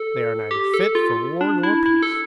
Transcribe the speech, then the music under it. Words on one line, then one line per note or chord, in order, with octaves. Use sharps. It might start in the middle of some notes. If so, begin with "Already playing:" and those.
They are neither fit for war nor peace!
Already playing: A4
G4
A4
F4
D4
E4
E4
A4